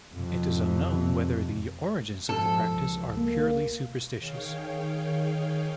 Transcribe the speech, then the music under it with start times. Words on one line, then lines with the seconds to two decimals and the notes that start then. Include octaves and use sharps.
It is unknown whether the origins of the practice are purely superstitious.
0.16 F2 C3
2.29 G#2 F3 A4
2.74 C#2
3.17 A#3
4.19 D#3 G#4 C#5 F5 G5